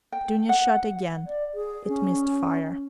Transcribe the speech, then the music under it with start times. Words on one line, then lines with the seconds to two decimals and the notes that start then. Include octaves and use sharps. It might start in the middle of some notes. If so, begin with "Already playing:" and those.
Dounia shot again: it missed fire.
0.12 G5
0.49 F#5
1.27 D5
1.54 G#4
1.88 C#4